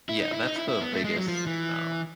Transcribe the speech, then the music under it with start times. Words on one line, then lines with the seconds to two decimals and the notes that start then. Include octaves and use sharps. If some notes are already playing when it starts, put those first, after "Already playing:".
Yeah, that's the biggest, um
0.09 E4
0.20 D#4
0.32 E4
0.44 D#4
0.56 E4
0.68 E4
0.81 B3
0.93 A3
1.04 G#3
1.17 F#3
1.28 F3
1.47 E3